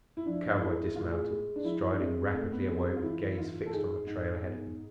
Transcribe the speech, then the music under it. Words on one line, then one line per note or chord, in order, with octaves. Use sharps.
The cowboy dismounted, striding rapidly away with gaze fixed on the trail ahead of him.
E4
F3 D4
G#3 E4
A2 F4
G#4
G#3
D4
F3 E4
D4
G#3 C4
C3 A3
B3
G#3 C4
C4
F4
E3 E4
G#2 F4
A4
G#2 G#4
G#2
B2